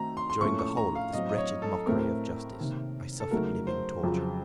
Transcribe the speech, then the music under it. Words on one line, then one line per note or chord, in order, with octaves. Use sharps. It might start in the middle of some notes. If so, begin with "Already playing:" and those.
During the whole of this wretched mockery of justice I suffered living torture.
Already playing: D#3 A3 C4 D#4 F#4 A#5
C6
C6
A2 F3 A#3 C#4 A4 C#6
C#6
A#5
F5
A2 F#3 C4 D#5
D#5
C#5
A4
A2 A3 C4 A#4
C3 D#3 A#3
A4
C#3 F#3 A3 D#4 F#4 A#4
C5
F2 C#3 F#3